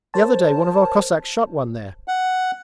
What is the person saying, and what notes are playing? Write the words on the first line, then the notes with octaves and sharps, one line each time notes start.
The other day one of our Cossacks shot one there.
A#4 C5 C#5 A5
F#5